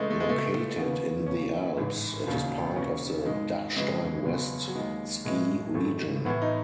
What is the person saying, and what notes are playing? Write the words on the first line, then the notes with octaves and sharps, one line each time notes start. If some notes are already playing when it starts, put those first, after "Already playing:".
Located in the Alps, it is part of the Dachstein West ski region.
Already playing: C#2 C#3 E3 G#3 A3
A3
G#3
C#2 B2 A3
D#2 C#3 E3 B3
D#2 C#3 E3 C#4
A1 G#2 E3
E1 D#2 C#3
E1 D#2 C#3 E3 C#4
G#1 G#2 D#3 G#3
G#1 F#2 C#3 E3 G#3
F#1 E2 B2
F#3
D#2 D#3 G#3
B1 A2 E3 G#3
G#1 G#2 D#3 A3
A1 A2 E3 B3
D#4